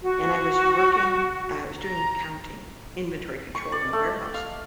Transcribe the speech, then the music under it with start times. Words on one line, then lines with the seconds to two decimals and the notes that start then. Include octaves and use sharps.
And I was working uh, I was doing accounting, inventory control in a warehouse.
0.01 F#4
1.78 A#5
3.55 C#6
3.72 D5
3.93 A3
4.34 F5